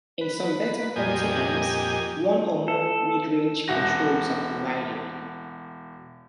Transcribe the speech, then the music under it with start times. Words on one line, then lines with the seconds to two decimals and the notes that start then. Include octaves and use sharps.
In some better quality amps, one or more midrange controls are provided.
0.21 B4
0.96 F2 A#2 G4 D#5 G#5
2.68 A4
3.68 E1 F#4 A#6